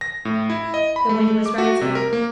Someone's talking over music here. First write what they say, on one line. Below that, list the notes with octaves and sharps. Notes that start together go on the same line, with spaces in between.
The wind was rising.
A#6
A2
E4
D#5
B5
A3
A3
D6
F#4
C3
A#4
A#3